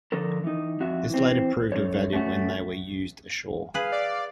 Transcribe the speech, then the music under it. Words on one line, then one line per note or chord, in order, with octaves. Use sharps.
This later proved of value when they were used ashore.
D3 F3 A4 A#4
E3 D#4
F2 F#4 E5
E3 C4
F#2 A4 C#5
A3 C#4 F4 F#4
G#4 B4 F5
D5